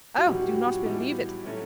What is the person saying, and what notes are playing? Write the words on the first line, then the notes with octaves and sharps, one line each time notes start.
Oh! do not believe it!
F#4
A2 E3 G3 B3 D#4 G4
G4
F#4
F4
A2 E3 G3 B3 D#4 E4
A2 F#3 A3 C#4